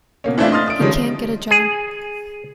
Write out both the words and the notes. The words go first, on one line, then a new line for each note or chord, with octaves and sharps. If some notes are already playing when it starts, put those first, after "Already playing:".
He can’t get a job.
B2 A#3 C#4
E3 A3 C4 D4 E4 F4
D#5 C6 D#6 F6 A6
D#6 D7
D#3 F3 G3 G#3 C#4
G#4